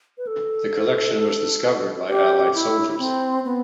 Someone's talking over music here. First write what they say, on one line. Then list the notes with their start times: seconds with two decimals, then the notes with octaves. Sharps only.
The collection was discovered by Allied soldiers.
0.18 B4
0.27 A4
2.09 G4
2.54 E4
2.99 C4
3.45 B3